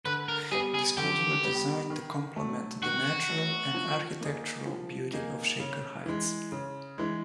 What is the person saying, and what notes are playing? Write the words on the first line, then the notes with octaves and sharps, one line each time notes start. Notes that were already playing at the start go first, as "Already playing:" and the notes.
The schools were designed to complement the natural and architectural beauty of Shaker Heights.
D3 B4
A#4
G3 B3 G#4
G#4
D3 G4
G3 B3
D#3
F#3 A3
D#3 F#4
F#3 A3
F3
A#3 D#4 G#4
F3
A#3 D#4 G#4
C#3
E3 G#3
C#3
E3 G#3